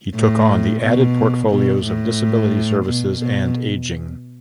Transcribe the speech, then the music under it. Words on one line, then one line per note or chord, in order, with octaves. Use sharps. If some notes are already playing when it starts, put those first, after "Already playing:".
He took on the added portfolios of Disability Services and Ageing.
A2
B2
B2
A2
B2
B2